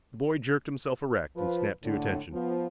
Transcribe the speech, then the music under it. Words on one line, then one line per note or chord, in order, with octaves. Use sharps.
The boy jerked himself erect and snapped to attention.
F3 B4
A2 D3
F3 B3